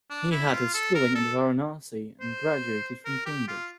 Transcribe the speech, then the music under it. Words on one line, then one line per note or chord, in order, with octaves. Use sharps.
He had his schooling at Varanasi and graduated from Cambridge.
D4
E4
F4
A4
A#4
A4
C5
A#4
G4
F4